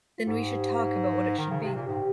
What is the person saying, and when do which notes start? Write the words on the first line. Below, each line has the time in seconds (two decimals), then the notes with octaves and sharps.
Then we should talk about what it should be.
0.18 F4
0.27 G#2 G4
1.38 D#3
1.51 C#3
1.63 C3
1.75 A#2
1.86 G#2 G4